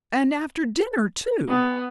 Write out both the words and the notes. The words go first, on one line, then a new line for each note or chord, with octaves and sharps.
"And after dinner, too!"
B3